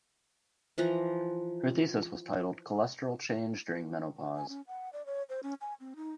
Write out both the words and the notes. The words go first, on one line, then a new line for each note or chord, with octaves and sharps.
Her thesis was titled "Cholesterol change during menopause".
E3 F3 F#5 A#5
G#5
C#4
F#5
D5
C#5
C5
C#4
G#5
C4
D#4